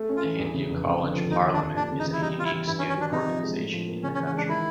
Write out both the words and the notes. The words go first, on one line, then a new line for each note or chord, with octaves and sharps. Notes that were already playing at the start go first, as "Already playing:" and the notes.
The Hindu College Parliament is a unique student organisation in the country.
Already playing: A3
C#4
F4
E3
E2
C#3
F1
F2
D3
F3
D#2 D#4
D3
D4
F3
D#2 D4
C#3
D#4
E3
E4
G3 D#4
B3 F4
E4
E3
G2 E4
C#4
D#3
C#4
F#3 D4
C3 D#4
F3
G#3
A2
F3
A#3
C#3 C#4
C#4
E3
C#4
G#3 D4
D#3 E4